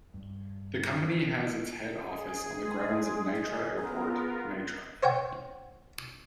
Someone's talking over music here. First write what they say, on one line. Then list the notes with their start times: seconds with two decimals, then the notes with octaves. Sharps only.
The company has its head office on the grounds of Nitra Airport, Nitra.
0.14 G2
2.05 G#4
2.62 G#3
3.36 D#5
3.78 B3 F4 G#4 A#4
5.03 C5 C#5 F#5 G5